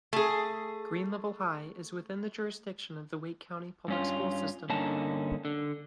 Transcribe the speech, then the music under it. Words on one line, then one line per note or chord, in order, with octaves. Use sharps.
Green Level High is within the jurisdiction of the Wake County Public School System.
A3 G#4
G2 C#4 F4
G2 D3 A#3 C#4 D#4 A5
D3